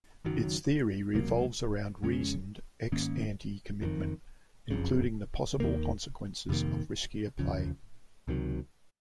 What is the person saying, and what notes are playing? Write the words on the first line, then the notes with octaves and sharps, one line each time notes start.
Its theory revolves around reasoned, ex-ante commitment, including the possible consequences of riskier play.
F#1 F#2 D#3 F#3
C#2 C3 F#3 A#3
F2 C#3 G#3 C#4
G#2 D#3 A#3 C#4
F#1 F2 C3 D#3
F#1 F2 C#3
D#2 D#3 A#3
F2 C3 D#3 A#3
F1 D#2 C#3 F3
C#2 C3 D#3 F#3